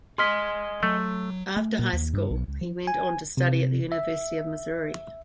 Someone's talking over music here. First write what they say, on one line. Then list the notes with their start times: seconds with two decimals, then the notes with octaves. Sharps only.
After high school, he went on to study at the University of Missouri.
0.18 G#4 D#5 C6 F6 B6
0.83 F#3 A3
1.56 A3
1.79 A#2
1.93 D#2
2.13 G2
2.31 B1
2.48 C#2
2.61 F3
2.87 G#5
3.37 C3
3.92 E5